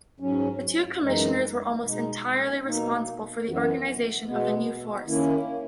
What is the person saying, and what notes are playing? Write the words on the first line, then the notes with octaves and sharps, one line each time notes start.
The two Commissioners were almost entirely responsible for the organisation of the new force.
G#2 F#3 C#4
F#2 E3 G#3 D#4
B2 G#3 D#4
B2 A#3 D#4
F#2 E3 B3
B2 G#3 B3
D#3 A#3 C#4 E4